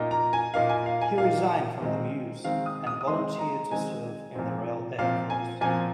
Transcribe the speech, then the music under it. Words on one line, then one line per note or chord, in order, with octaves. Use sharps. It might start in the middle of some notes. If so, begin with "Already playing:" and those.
He resigned from the Mews and volunteered to serve in the Royal Air Force.
Already playing: A#2 A#3 D#4
A#5
G#5
A#2 A#3 D#4 F5
G#5
F5
G#5
A#2 A#3 D#4 F5
D#3 G#3 C4 D#4
D#3 G#3 C4 D#4 F5
D#6
D#6
D#6
D#3 G#3 C4 D#4 C6
A#5
D#3 G#3 C4 D#4 G#5
A#2 F3 C4
A#2 F3 C4 F5
G#5
A#2 F3 C4 G#5